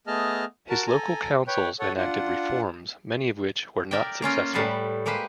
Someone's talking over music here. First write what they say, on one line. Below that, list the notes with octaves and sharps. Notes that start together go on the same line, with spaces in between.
His local councils enacted reforms, many of which were not successful.
A3 B3 G#4 D#5 A5 F6
F#4 A#4 A5
A4 G#5 A#5
B4 C#5 G5
A4 C#5 F#5
D4 F4 F#5
A#4 D5 E5 G5
A#3 C#4 F4 A#4
A2 G3 A4 B4 F#5 C6
G#3 A#3 G4 B4 C5